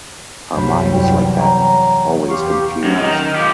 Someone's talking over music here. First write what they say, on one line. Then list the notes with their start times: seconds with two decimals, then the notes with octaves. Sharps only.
Our mind is like that, always confused.
0.55 C2 F#2 B5
0.92 E2 G5
1.39 C#5 A#5
2.29 G4 F5 C6 C#6
2.84 F#2
2.98 D#3
3.36 F3 G4